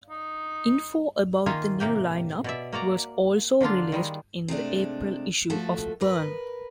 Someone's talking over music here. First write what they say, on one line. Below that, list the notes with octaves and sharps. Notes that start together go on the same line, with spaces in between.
Info about the new lineup was also released in the April issue of Burrn!
D#4
D#3 A#3 F4 E5 G#5 A#5
A2 C3 A#3 G4
B2 D5 E5
A#3 F#4 D5 A#5
D3 A#3 D4 F4
D#3 G3 G#3
C3 G#3 A3 D4
F3 A3 F#4 A4
A#4 B4